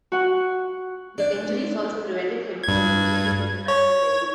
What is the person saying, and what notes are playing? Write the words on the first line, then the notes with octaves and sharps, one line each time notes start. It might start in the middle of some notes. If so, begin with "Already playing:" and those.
The injuries also prevented him from making his international debut.
F#4 F#5
D4
G2 G#6
C#5